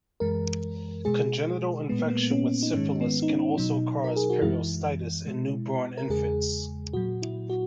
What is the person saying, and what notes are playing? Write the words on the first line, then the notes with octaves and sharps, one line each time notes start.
Congenital infection with syphilis can also cause periostitis in newborn infants.
F#2 E3 G#3 A#4
B2 G#3 G#4
A#2 G#3 B3
A#3
B3
C#4
D#4
G#2 D#3 G#3 C#4
B3
D#4
C#4
B2 F#3 D#4
A#4
G#4
F#4
F#2 E3 G#3 E4
B2 G#3
A#4
E2 C#3 G#3 G#4
A#2 F#3 F#4
E4
F#4